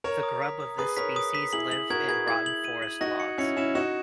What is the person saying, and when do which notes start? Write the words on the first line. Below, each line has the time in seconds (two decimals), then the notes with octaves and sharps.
The grub of this species live in rotten forest logs.
0.04 A#4 C#5 A#5
0.23 D#6
0.42 B6
0.60 D#6
0.78 G#4 B4 D#6
0.97 A#4 C#5 B6
1.16 D#6
1.35 B6
1.53 E4 G#4 F#7
1.71 F#7
1.90 F#4 A#4 G#6
2.08 G#4 B4 G#6
2.27 E4 G#4 G#6
2.46 F#7
2.65 D#7
2.82 F#7
3.01 D#4 F#4 A#6
3.20 C#7
3.38 C#4 E4 C#7
3.57 C#4 E4 E7
3.75 D#4 F#4 E7